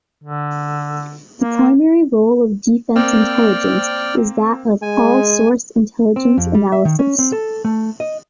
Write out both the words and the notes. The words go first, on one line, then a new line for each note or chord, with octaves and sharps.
The primary role of Defence Intelligence is that of 'all-source' intelligence analysis.
D3
A#3
A#3 C4 D5 G5 F6
G#3 G#5
C4
F2
G3
E5
D#3
C#4
C4
A4
A3
D#5